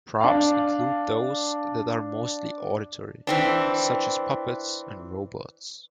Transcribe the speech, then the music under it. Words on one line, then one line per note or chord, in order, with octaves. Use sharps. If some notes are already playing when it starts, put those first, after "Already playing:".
Props include those that are mostly auditory, such as puppets and robots.
D4 F5
E3 C4 D4